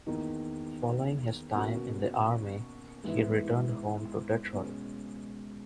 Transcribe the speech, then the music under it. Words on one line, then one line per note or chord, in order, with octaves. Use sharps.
Following his time in the Army, he returned home to Detroit.
E2 D#3 A#3 D#4
B2 A#3 C#4 F#4
G#2 E3 B3 E4
B2 G#3 C#4